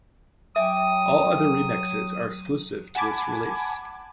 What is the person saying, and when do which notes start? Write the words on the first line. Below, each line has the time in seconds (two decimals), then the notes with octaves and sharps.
All other remixes are exclusive to this release.
0.56 F#3 G4 E5 G#5 D6 D#6
2.95 F#5 G#5 A5 B5 D6 G#6